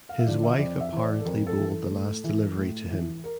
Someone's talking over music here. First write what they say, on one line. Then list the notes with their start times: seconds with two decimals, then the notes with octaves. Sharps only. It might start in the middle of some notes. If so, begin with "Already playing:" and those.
His wife apparently bowled the last delivery to him.
0.09 F5
0.19 E5
0.26 D3 F3 D5
0.43 E5
0.59 F2 D5
0.81 E5
0.92 E3 C5
1.03 D5
1.20 A4
1.25 F2 A#4
1.47 A4
1.58 E3
1.69 A4
1.91 A2
2.24 E3
2.57 A2
2.91 E3
3.24 A#4